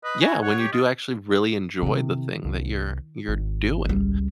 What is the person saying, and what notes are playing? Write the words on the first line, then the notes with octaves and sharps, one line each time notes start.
Yeah, when you do actually really enjoy the thing that you're you're doing.
B4 D#5
F#4 G#5
C#5 F#5
G4
F4 D#5
C3 D#3 E4
C2
G#1
C#2 G3